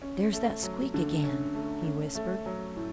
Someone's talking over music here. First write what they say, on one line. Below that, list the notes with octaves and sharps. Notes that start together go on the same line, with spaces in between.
"There's that squeak again!" he whispered.
C#4
A3
F#3
D3
C#4
A3
C#4
A3
F#3
A2